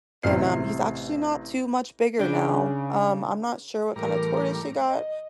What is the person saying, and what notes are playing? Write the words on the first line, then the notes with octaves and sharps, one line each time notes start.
and, um, he's actually not too much bigger now. Um, I'm not sure what kinda tortoise she got,
A1 C3 F6 C7
C#3 D4 G5
A2 E3 G3 A#4 A#5
D#5